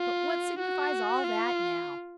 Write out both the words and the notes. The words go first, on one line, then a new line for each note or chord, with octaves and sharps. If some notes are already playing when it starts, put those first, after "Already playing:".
But what signifies all that now?
Already playing: F4
F#4
F4